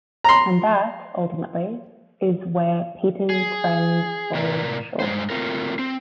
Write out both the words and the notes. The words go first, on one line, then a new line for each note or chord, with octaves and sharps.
And that, ultimately, is where "Peter's Friends" falls short.
A#5 C6
G#4
A2 C3 A#4 D5
G2 G#3 C5
A3 C4 F4 A#4
C4